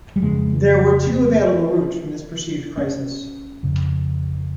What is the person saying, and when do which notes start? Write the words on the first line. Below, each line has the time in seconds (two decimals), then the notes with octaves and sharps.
There were two available routes from this perceived crisis.
0.16 G3
0.22 F2 C#3 G#3
1.07 C4
2.78 C#4
3.63 F2 C#3